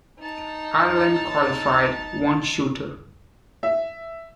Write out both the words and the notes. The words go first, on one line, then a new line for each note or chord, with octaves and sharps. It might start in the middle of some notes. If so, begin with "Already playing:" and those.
Ireland qualified one shooter.
D#4 A5
E5